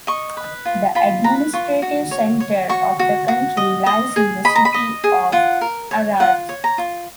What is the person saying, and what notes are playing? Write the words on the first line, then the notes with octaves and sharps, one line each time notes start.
The administrative center of the county lies in the city of Arad.
D#5 C#6
B4
F4
F4 B5
B4 A#5
F4 C#6
F#4
C#5
C#5
F#4 C#6
F#4
F#4
D#5
D#5
G#4
D#5 B5
A#5
B5
D#5
G#4
F4 F#5
A#4
C#5
F4 F#5
C#5
A#5
F4